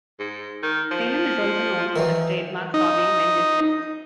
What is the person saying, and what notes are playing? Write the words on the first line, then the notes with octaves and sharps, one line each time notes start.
Salem is also known for his trademark sobbing when distressed.
G#2
D#3
F3
D#3 E3
D#4